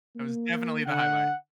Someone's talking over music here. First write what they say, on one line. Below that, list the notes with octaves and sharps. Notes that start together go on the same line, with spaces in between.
That was definitely the highlight.
A#3
D3 F#5